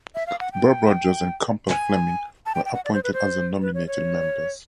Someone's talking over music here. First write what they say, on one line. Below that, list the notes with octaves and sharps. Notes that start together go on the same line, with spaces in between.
Bob Rogers and Campbell Fleming were appointed as the nominated members.
E5
F5
F#5
G5
G#5
A5
G5
G5
F#5
D5
C5
B4
C5
B4
C#5
C#5